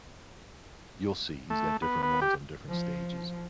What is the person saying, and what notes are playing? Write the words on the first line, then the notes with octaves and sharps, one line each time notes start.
You'll see, he's got different ones on different stages.
A3
B3
B3
G4
F3